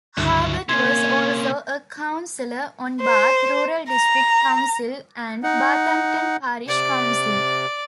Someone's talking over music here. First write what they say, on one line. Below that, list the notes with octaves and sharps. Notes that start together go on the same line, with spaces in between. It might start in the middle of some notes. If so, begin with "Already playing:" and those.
Harbutt was also a councillor on Bath rural district council and Bathampton parish council.
C#2 G2 D3 F#3 E4
C3 A#3 C#4 C6 G#6
C5
A#5
D#4 F#5
C3 D5